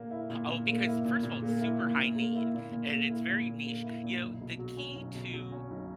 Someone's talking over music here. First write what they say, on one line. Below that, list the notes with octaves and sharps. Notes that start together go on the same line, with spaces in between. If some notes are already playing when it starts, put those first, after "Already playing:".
Oh, because first of all, it's super high need and it's very niche. You know, the key to
Already playing: A#2 A#3
E4
A#2
A#2
A#3
E4
A#2
A#2
A#3
E4
A#2
A#2
A#3
E4
A#2
A#2
A#3
E4
A#2
A#2
A#3
E4
A#2
B1
B2
F#3
C#4
B1
B2
F#3
C#4
B1